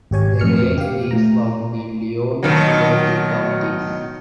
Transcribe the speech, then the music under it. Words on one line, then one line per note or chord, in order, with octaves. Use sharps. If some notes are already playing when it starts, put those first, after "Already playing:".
The range is found in Lyon and Churchill Counties.
G#1 G4 C#5 G#5
F2 A2 F6 C#7
G4 F5
A2 A#5
B2 D#3 F#3